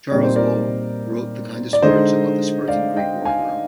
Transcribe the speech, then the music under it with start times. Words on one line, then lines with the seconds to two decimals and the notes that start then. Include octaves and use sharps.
Charles Lowell wrote the kindest words about the Spartan Greek war hero.
0.11 A#2 G3 C4 D#4 D5
0.23 C5
0.36 A#4 D5
1.73 D5
1.82 D3 G#3 D#4 C5 D#5
2.68 D5 F5
2.96 D#5 G5
3.25 F5 G#5